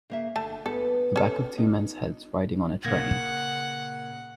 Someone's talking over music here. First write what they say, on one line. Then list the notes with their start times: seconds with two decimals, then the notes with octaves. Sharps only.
The back of two men 's heads riding on a train.
0.10 C#3 A#3 E5
0.36 D3 A3 A5
0.66 B3 A4 B4
1.16 C#4 A4
1.58 D#4
2.85 A#2 C#3 A#3 F#5 G#6 A#6